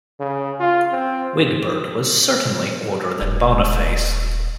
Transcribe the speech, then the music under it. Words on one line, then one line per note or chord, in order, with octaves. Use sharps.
Wigbert was certainly older than Boniface.
C#3
F4
C4
D#1